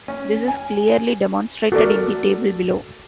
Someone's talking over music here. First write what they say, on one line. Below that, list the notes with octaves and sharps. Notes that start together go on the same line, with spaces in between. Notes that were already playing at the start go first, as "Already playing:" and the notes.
This is clearly demonstrated in the table below.
C#4
G#5
A3 F#4 A4 A#4 D5